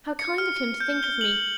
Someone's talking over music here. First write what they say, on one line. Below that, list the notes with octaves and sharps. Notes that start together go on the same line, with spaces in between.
'How kind of him to think of me!
C#7
F6
G6
G7
F#7